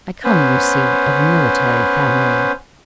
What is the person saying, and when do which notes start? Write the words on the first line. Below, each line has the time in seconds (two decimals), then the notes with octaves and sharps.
I come, you see, of a military family.'
0.24 B3 C#4 B4 C5